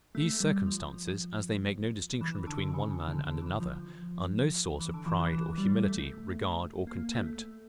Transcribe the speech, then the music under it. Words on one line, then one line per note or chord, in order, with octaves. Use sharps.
These circumstances, as they make no distinction between one man and another, are no source of pride or humility, regard or contempt.
A3
G3
F3
E3
D3
C#3
C#3
D3
D3
E3
F3
E3
D3
E3
E3
E3
G3
A3
A#3
A3